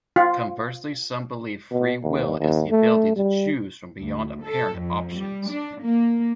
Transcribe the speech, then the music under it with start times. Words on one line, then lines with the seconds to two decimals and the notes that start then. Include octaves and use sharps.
Conversely some believe free will is the ability to choose from beyond apparent options.
0.16 F4
1.71 B2
2.04 D#2
2.40 D#2
2.71 A3
3.16 G3
4.00 D2
4.43 A4
4.78 F2
5.14 G3
5.48 D4
5.81 A#3